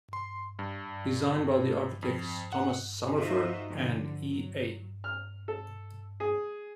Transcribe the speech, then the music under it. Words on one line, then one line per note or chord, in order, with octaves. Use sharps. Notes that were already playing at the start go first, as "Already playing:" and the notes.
Designed by the architects Thomas Somerford and E. A.
C6
G2
F2
F#5
D#4 F4 F#4 C5 D#5 E5
D3 F3
F#3
F6
A4
G#4